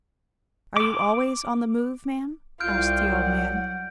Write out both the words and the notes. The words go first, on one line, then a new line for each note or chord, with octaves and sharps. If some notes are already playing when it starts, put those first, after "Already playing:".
'Are you always on the move, ma'am?' asked the old man.
D6
C2 F4 F6 G6 D7
F#3 F#5